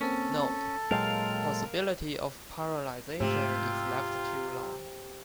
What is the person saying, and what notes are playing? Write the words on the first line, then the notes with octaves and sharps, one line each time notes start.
Note: Possibility of paralyzation if left too long.
A#3 C4 C#4 A4
A#2 F#3 G#3 A#4 F5 G5 A5 C6
G#2 C3 A3 F4